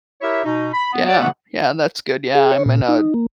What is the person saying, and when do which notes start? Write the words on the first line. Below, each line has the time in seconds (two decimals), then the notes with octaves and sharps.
Yeah, yeah, that's good yeah, I'm in a
0.21 E4 G4 A#4 C#5 E5
0.45 B2 D#4
0.73 B5
0.92 B3
1.08 G4 C#5 D5
1.20 A#2 C#3 E3 A3 B3 F#5
2.35 G#4
2.51 C#5
2.66 A#2
2.88 D#4
3.14 A#3